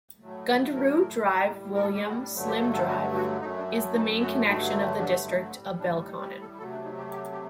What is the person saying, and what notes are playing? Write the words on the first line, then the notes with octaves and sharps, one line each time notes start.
Gundaroo Drive-William Slim Drive is the main connection to the district of Belconnen.
A2 F#3 A3
A#4
A2 G3
A#4
A4
G4
F#4
D4
G2 D3 F#3 A3 C4
G4
A4
A4
F#4
F#4
F#2 F#3 A3 D#4
D4
D#4
F#4
G2 D3 F#3 A3 D#4
D4
D#4
A2 G3 C4
D4
D#4
G4
A4
C3 F#3 A3 A4
D4
D#4
G4
G4
G4